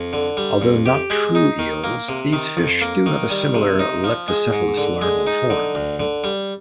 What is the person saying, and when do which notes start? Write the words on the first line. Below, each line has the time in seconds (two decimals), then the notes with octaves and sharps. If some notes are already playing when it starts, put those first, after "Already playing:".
Although not true eels, these fish do have a similar leptocephalus larval form.
Already playing: F2
0.13 D3
0.37 G3
0.62 F2
0.86 G4
1.10 G#3
1.35 D#4
1.59 D#3
1.84 A#3
2.09 C3
2.33 D#3
2.57 F2
2.81 A#3
3.06 D#3
3.30 G3
3.55 C3
3.79 D#4
4.04 F3
4.28 G#3
4.53 G#2
4.78 D3
5.02 G#3
5.27 D#4
5.50 D3
5.75 D2
6.00 D3
6.24 G3